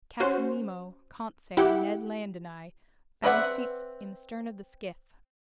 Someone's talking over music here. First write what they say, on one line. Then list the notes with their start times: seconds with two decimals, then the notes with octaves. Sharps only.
Captain Nemo, Conseil, Ned Land, and I found seats in the stern of the skiff.
0.20 C#4 F#4 C5
1.57 E4 G4 F#5 G5
3.24 C4 B4 D5 E5 F#5